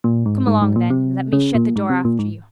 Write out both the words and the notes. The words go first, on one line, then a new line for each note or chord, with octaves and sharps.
"Come along, then, and let me shut the door after you."
A#2
G#2
G#2
G#2
A#2
C3
C#3
A#2
G#2
C3
A#2
G#2